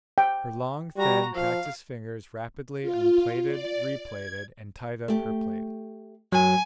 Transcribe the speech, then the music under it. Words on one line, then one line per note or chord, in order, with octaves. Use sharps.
Her long, thin, practiced fingers rapidly unplaited, replaited, and tied up her plait.
G5
G3 F#4 A#5
F3 F5
F4
D5
G#6
A3 G4
F#2 F#3 G#5